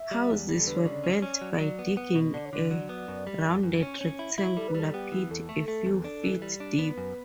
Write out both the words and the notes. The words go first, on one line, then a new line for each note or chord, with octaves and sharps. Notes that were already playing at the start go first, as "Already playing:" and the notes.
Houses were built by digging a rounded rectangular pit a few feet deep.
Already playing: E5
G3
E2
G3
A4
D3 B4
C#5
C#3 D5
C#4
C#4
F#3
F#3
B3
B3
B2
D3 D5
C#5
D3 D5
F#3
B3
F#2
G3
F#2
F#2
C#4 C#5
C#4
E4
E4
G3 A4
B4
G3 A4
A4
B3 G4
E3
E2 A4
A3
A3
E2
D4
E3
G3
D4
B3 B4
F#2